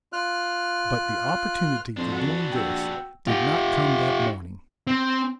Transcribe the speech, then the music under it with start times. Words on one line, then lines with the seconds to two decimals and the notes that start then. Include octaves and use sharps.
But the opportunity for doing this did not come that morning.
0.13 F4 F6 F#6
1.97 F2 D4 C5
2.12 B3 D4 F#4
2.52 A#1 G5 E6
3.27 F4 G4
4.87 C4